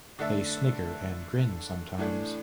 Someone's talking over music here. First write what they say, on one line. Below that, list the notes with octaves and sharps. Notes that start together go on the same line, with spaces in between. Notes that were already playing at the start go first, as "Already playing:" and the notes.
They snigger and grin sometimes.
D3 A3 D4 A4 E5
A2 E3 A3 D4